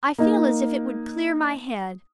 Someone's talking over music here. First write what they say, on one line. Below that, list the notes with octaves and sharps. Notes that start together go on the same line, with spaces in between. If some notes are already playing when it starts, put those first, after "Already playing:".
"I feel as if it would clear my head."
A#3 D#4